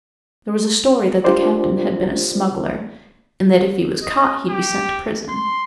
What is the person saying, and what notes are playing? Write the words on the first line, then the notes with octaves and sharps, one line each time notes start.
There was a story that the Captain had been a smuggler and that if he was caught he'd be sent to prison.
D4 F4 G4 A#4 C5 D5
D#5
G4
C6